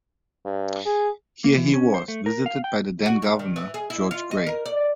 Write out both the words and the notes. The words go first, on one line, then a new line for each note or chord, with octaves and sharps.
Here he was visited by the then Governor, George Grey.
G2
G#4
A#3
E3
C#4
C5
A3
A#4
F5
G5
F#4
G2
D#3
E3
G#4
E4
F4
D#5
A#4
D5